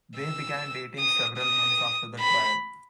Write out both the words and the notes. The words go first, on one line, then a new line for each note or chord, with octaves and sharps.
They began dating several months after the trial.
E6
D#6
D#6
B5